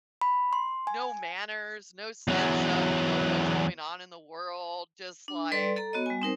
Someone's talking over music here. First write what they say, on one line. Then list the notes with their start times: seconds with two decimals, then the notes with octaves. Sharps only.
no manners, no sense of, you know, what's going on in the world, just, like
0.21 B5
0.53 C6
0.87 G#5
2.28 E2 F#3
5.28 D4
5.52 G3 A4 B4 D5 C6
5.77 A4 A#5
5.93 B3 F#4 C#5 D#5
6.06 G3 G#5
6.21 C4 D#4 A#4 C5